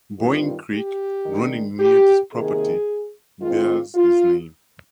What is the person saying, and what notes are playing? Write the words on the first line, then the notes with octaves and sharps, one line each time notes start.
Boeing Creek running near this property bears his name.
G2 D#3 G3 C4 D#4 F4
G4
D#3 G#3 D4
G4
C3 D#3 A#3 G#4
D#3 G#3 C4 F4
F4